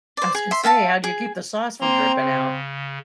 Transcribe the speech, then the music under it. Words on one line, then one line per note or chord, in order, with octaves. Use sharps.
I was gonna say, how do you keep the sauce from dripping out?
C5 D5
G#4
E5 C6
E5 F5 G#5 A5
G#4
A#3 C4 A#5 C6
C#3